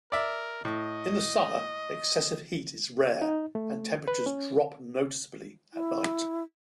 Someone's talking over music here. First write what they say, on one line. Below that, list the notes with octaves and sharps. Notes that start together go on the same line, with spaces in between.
In the summer, excessive heat is rare and temperatures drop noticeably at night.
A#4 D5 E5
A2 D#5
D#4
A3
B4
C#4
E4